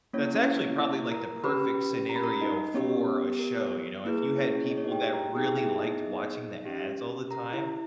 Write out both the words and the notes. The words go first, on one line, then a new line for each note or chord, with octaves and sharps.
That's actually probably, like, the perfect scenario for a show, you know, if you had people that really liked watching the ads all the time?
A#3 C#4 E4 C#5
C#4 C#5
C#4 C#5
E4 E5
A#4 A#5
C#4 G4 B4 B5
A#5
B5
A#4 A#5
D#4 D#5
B3 C#4 G4 C#5
A#4
A#3 E4 G#4 B4
C#4 C#5
D#5
C#5
D#4 D#5
G4 G5
A#4 A#5
B3 D#4 G4 G#4 G5
E4 E5
E5
D#4 D#5
C#4 G4
A#4 A#5
E4 E5